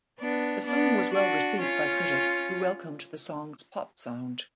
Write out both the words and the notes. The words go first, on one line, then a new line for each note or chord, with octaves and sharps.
The song was well-received by critics, who welcomed the song's pop sound.
B3 D4
B3 D4
D4 F#4
C#4 F4